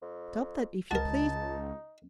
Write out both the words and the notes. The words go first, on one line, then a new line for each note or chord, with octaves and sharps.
Stop that if you please!
F2
C#2 D#4 F#4 A#4 A5